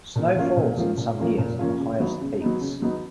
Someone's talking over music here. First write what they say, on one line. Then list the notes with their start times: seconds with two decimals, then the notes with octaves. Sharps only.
Snow falls in some years on the highest peaks.
0.16 A#2
0.36 F3 A#3 C#4 F4
0.57 A#2
0.78 F3 A#3 C#4 F4
0.98 A#2
1.18 F3 A#3 C#4 F4
1.38 A#2
1.59 F3 A#3 C#4 F4
1.80 C#3
2.00 F#3 B3 D#4
2.21 C#3
2.41 F#3 B3 D#4
2.61 C#3
2.82 F#3 B3 D#4